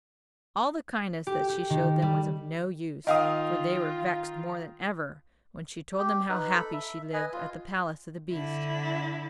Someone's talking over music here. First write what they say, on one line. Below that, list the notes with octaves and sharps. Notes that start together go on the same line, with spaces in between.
All the kindness that she showed them was of no use; for they were vexed more than ever, when she told them how happy she lived at the palace of the beast.
G4
G4
D#3
G3
D#3 F4 D#5 F5 D#6
G4
D#4 B4
A4 B5
E5
B4 D#5 G#5
F4
D3 E4